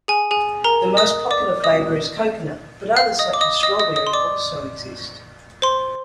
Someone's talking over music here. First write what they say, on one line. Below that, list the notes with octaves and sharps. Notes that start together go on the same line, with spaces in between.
The most popular flavor is coconut, but others such as strawberry also exist.
G#4 G#5
G#4 G#5
A#4 A#5
D#5 D#6
D5 D6
D#5 D#6
F5 F6
D#5 D#6
D6
D#5 D#6
D#5 D#6
D#5 D#6
D#5 D#6
C6
D5 D6
C5 C6